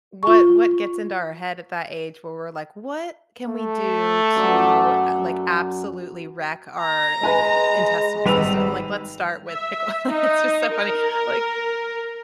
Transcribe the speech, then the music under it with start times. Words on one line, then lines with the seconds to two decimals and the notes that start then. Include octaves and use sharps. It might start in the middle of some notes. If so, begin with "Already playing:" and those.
what what gets into our head at that age where we're like, "What can we do to, uh, like, absolutely wreck our, like, intestinal system? Like, let's start with pickle" Like, it's just so funny, like
0.23 F4 C#6
3.47 A3
4.36 F#2 D5 F#5
6.81 A#5
7.23 G#3 B4 G#5
8.26 G#1 G3 B4 E6 F7
9.49 E5
10.08 D#4
10.73 A#4